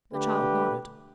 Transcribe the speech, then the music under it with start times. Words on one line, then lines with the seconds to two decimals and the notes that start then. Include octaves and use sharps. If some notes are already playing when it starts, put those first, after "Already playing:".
The child nodded.
0.13 D3 A3 G4 B4